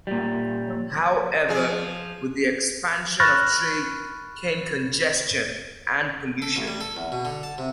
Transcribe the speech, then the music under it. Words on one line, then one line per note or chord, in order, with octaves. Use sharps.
However, with the expansion of trade came congestion and pollution.
A#2 G3
F3 G#4
B5 C#6 F6 F#6 A6 A#6
A4
A1
G3
A4
E2
B2
D3
A5
C3